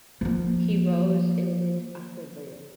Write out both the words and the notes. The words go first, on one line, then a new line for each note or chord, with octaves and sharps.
He rose and went awkwardly.
F3 A#3